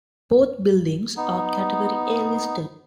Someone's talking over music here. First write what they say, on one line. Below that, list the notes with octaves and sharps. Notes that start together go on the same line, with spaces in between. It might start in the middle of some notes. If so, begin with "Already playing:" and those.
Both buildings are Category A listed.
B3 D#4